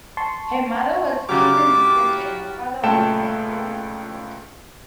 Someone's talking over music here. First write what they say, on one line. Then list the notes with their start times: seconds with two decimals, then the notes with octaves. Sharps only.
Her mother was Cuban descent and her father was Mexican descent.
0.17 A5 C6 C#6
1.29 C#3 F#3 E4 F#4 G4 D6 F6 A6
2.83 C#2 A#2 A3 G5 A5 E7